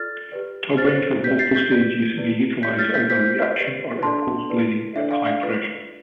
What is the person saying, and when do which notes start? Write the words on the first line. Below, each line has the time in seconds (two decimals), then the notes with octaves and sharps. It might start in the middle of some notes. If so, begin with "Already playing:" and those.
Turbines with multiple stages may utilize either reaction or impulse blading at high pressure.
Already playing: F4 A4 D5 F6 A6
0.32 G4 B4 D5
0.77 F4 C5 F6 A6
1.24 G4 B4 D5 G6 B6
1.39 A6 C7
1.55 G6 B6
1.71 G4 B4 D5
2.18 E4 B4 D5
2.63 G4 D5 G6 B6
2.78 F6 A6
2.94 G6 B6
3.10 F4 C5 G6 B6
3.56 G4 B4 D5
4.03 D4 A4 D5 A5 C6
4.50 E4 B4 D5
4.96 D4 A4 D5 E5
5.11 D5 F5
5.26 D5 F5
5.43 F4 B4 D5